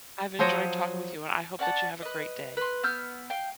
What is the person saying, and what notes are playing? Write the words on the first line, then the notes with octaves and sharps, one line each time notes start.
I've enjoyed talking with you, and I hope that you have a great day.
F3 F#3 C5 C#5 D#5 A#5
C#4 D5 F#5 A5
B4 D#5
B4 C6
B3 E6 F6 G6
F5 G5